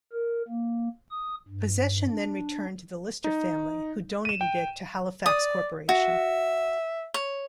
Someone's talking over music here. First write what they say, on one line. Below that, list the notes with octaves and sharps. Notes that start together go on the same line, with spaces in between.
Possession then returned to the Lister family, who donated it to Halifax Corporation.
A#4
A#3
D#6
G2
D4
D#4
D#7 E7
G5
D5 D#6
F#4 E5
C#5